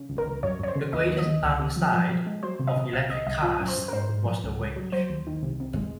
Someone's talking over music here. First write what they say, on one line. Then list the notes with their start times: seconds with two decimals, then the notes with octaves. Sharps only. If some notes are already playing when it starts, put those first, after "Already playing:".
The greatest downside of electric cars was the range.
Already playing: C#3
0.09 C#2
0.18 A#4
0.26 C#2
0.43 F#2 C#5
0.59 F#2 C#5
0.68 C5
0.75 C#3
0.93 D#2 D#5
1.10 D#3
1.18 D#5
1.26 D#2
1.43 C#2
1.59 C3
1.76 F3
1.93 F3
2.09 F3
2.26 G#3
2.43 F#3 C5
2.59 C3
2.67 D#5
2.76 C3
2.93 C2 F5
3.09 C2 D#5
3.26 C2 D#5
3.42 F3 F4
3.60 F#2
3.68 C5
3.77 F#2
3.88 A#4
3.93 G#2 C5
4.09 G#2
4.26 F3
4.43 C#2
4.59 C#2
4.76 F#3
4.92 F#3 C5
5.10 D#2
5.27 D#3
5.43 C2
5.60 C3
5.76 G#3